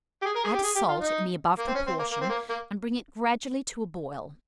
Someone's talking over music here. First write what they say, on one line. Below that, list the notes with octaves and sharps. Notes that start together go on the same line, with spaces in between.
Add salt in the above proportion, and bring it gradually to a boil.
G4
G#4
A#4
G#4
G4
G#4
G4
F4
D#4
A#3
C4
C#4
C4
A#3
A#3
C4
A#3
A#3